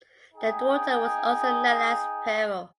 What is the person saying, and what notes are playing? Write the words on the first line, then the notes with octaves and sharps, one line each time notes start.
The daughter was also known as Pero.
D#4 G#4 G5